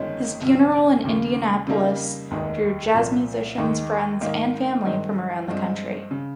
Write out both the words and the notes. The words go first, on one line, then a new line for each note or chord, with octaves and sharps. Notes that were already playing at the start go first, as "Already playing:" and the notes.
His funeral in Indianapolis drew jazz musicians, friends and family from around the country.
Already playing: G1 F2 D#3 G#3 C#4
G1 F2 C3 F3
D#2 C#3 F3 A#3
F2 C#3 G3 A#3 D#4
F1 D#2 D#3 G#3 D#4
C2 A#2 F3 C4
D#2 D#3 G#3 D#4
G#2 D#3 A#3 D#4
G2 D#3 G#3 C4 D#4
G2 F3 G#3 C4
C#3